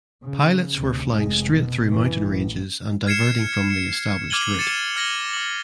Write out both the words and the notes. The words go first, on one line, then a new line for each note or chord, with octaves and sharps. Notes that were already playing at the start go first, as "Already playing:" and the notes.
Pilots were flying straight through mountain ranges and diverting from the established route.
C#3
D2 C3
F1 G#3
B2
F#2 E3
A1
F6 G#6 C7 C#7 E7
C#7
D6 F6 G#6 D#7 F#7 G7
A6 C#7 E7
F6 G#6 A#6 C#7 F#7 G7
D6 F#7